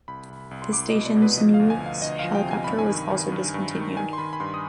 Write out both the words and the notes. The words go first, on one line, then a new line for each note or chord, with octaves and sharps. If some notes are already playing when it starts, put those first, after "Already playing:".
The station's news helicopter was also discontinued.
C2 B5
C2
C2
C6
C2 D6
D#5
B2
D5
B2
B4
F3 D#5
F5
D2
G#5
D2
F5
D2 D#5
F3 F5
G5
C3
G#5
G2 B5
G#5
D#3
D#3
G2
G2
D#3
D#3 G#5
C6
D#3 B5
B5
G2 C6
D#6